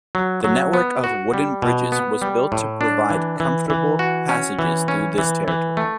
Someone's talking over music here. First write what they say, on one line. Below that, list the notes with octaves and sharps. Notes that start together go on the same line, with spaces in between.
The network of wooden bridges was built to provide comfortable passages through this territory.
F#3
F#3
B3
F#4
G3
B2
B3
G3
A2
D4
E3
E3
E3
F#4
C#4
E3
C#4
E3
E3
A3